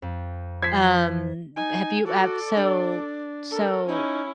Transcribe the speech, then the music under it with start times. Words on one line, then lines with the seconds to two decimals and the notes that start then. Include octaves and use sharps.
Um, have you ev so so
0.02 F2
0.62 F3 C5 G#6 B6 C7
1.57 D#4 G#5
2.05 F#4 A4 D5
2.56 D4
3.51 A4 A#4
3.88 C#4 D#4 E4